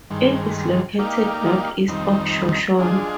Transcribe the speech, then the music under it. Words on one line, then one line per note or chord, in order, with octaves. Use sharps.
It is located northeast of Shoshone.
G2 D#3 G#3
A#3 D#4 G4 D5 F5
F2 D#3 G3 C4 D#4
G#3 D4 F4 G#4 D#5